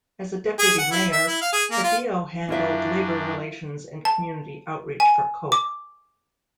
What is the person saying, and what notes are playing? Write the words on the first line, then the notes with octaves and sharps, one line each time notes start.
As a deputy mayor Badillo handled labor relations and community outreach for Koch.
G#4
F#5
E4
E5
E4
F5
G#4
A#3
F4
F#2 D4 E4 F4 E5
A5
G#5
D6